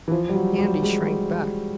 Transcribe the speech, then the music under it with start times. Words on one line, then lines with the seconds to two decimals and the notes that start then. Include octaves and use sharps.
Andy shrank back.
0.08 E3
0.11 F3
0.29 G3
0.34 F#3
0.59 G3
0.83 G#3